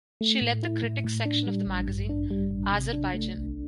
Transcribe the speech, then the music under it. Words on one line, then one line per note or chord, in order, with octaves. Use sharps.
She led the critics section of the magazine "Azerbaijan".
A3
A2
E4
A2
A2
D4
G3
A1
G2
D4
G3
A1
C3
D4
A3
C2